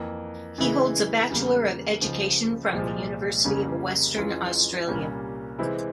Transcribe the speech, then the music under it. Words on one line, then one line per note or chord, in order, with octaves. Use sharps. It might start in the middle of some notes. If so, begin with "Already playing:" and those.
He holds a Bachelor of Education from the University of Western Australia.
Already playing: F2 E3 A#3
C#3 E3 G#3 E4
E2 C#3 G3 A#3
C#2 C#3 F3
C2 A#2 F3 G#3
F2 C#3 G3 A#3 C#4
F2 E3 G#3 C#4 F4
C2 A#2 G3 A#3 C#4
C3 E3 G#3 C4 E4